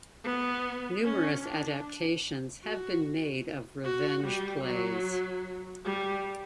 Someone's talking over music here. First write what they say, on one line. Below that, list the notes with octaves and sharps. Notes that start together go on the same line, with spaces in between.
Numerous adaptations have been made of revenge plays.
B3
C#4
D4
F#4
F#4
G3
F#3
G3